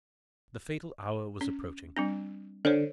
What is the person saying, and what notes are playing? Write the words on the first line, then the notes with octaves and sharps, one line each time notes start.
The fatal hour was approaching.
C#4
G3 C4 D4
D3 A4 C5 C#5